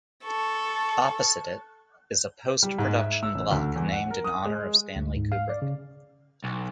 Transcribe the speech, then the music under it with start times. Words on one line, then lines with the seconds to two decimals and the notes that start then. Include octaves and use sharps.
Opposite it, is a post-production block named in honour of Stanley Kubrick.
0.25 A4 C#6
2.63 G3
2.79 G#2
2.98 E5
3.23 E6
3.35 A1
3.51 D2
3.76 E2
3.92 F#5
4.10 A#4
4.24 D#6
4.45 G#3
4.96 D2
5.16 G#2
5.32 F5
5.49 D5
5.62 C#3
6.44 B1